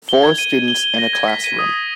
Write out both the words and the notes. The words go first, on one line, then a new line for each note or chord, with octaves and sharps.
Four students in a classroom.
G7
G#6
D#7
D#7
G7
G7
A#6
G#6
B6
D#7
D#6
A#6